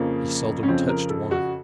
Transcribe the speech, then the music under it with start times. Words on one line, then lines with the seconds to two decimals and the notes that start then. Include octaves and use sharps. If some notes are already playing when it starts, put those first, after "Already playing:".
He seldom touched wine.
Already playing: F2 C#3 F3 A#3
0.63 C#4
0.68 F2 C#3 F3 C4
0.88 A#4
1.09 A4
1.31 F#4